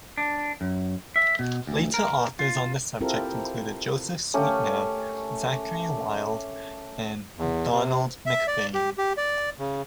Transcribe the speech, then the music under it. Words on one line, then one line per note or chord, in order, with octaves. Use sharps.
Later authors on the subject included Joseph Swetnam, Zachary Wylde, and Donald McBane.
D4
F#2
E5
B2
D2
A#4
F4
C4 E4 F4 G4 A4 A#4
A3 C#4 G4 A#4
E2
C3
E5
D5
G4
G4
D5
C#3